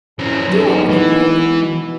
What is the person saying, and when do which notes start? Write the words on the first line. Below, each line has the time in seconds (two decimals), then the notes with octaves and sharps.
Do open it quick.
0.19 C2 E3 F3 C4 C#4
0.48 F#2 B3 D#4
0.89 E3
1.25 G#3 B3
1.60 B2